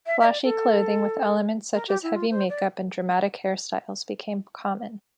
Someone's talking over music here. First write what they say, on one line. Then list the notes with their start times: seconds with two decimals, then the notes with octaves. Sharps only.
Flashy clothing with elements such as heavy makeup and dramatic hairstyles became common.
0.06 E5
0.20 E5
0.25 D5
0.43 A4
1.73 A#4
1.88 G4
2.02 E4
2.15 F4
2.30 C5
2.49 D5